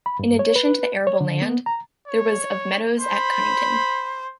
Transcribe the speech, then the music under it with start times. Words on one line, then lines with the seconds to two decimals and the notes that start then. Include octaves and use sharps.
In addition to the arable land, there was of meadows at Conington.
0.06 B5
0.19 G2
0.39 C#5
0.56 B4
1.07 C#5
1.21 D3
1.42 B3
1.66 A#5
2.08 C#5
3.00 C5 B5